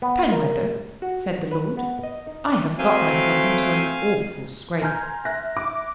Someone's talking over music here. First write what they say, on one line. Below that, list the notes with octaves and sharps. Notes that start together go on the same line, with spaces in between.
"Penwether," said the Lord, "I have got myself into an awful scrape."
B3
A#4
F#4
B4
B3
D#5
D#4
F#3 A3 C4 F5 G#5
G#5 A#5 C6 F6 G6 G#6
E5 F#6 A#6
E5 D6